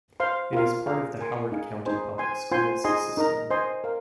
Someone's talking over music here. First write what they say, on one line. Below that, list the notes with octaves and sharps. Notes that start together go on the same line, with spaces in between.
It is part of the Howard County Public Schools system.
C5 F5 C6
F4 A#4 F5
G#4 F5 A#5
A#4 G#5 C6
D#4 G#4 F5 G#5
D#4 G#4 C5 D#5 G#5
C5 G#5 C6
F4 C5 G#5 C6
D#4 G#4 D#5 G#5 C6
D#4 A#4 D#5 A#5
C5 D#5 G#5 C6
A#4 F5